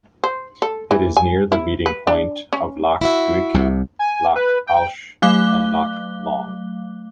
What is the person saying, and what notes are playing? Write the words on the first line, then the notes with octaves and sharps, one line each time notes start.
It is near the meeting point of Loch Duich, Loch Alsh and Loch Long.
C5
A4
E3
G#5
E4
B4
D4
C#4
E4 F#4 E5
C2 C3
G#5
B4
G5
F#3 A3 F5 D6 F#6 G7